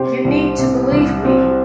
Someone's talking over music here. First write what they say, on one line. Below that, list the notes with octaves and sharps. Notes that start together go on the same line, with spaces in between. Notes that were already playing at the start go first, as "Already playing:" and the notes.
You need to believe me.
Already playing: C3 G4 C5
C2
C3
C2
C3 C4